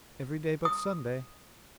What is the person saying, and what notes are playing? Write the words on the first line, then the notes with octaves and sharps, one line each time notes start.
"Every day but Sunday."
D#6